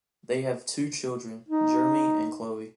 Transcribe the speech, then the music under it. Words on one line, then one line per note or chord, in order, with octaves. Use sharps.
They have two children: Jeremy and Chloe.
D#4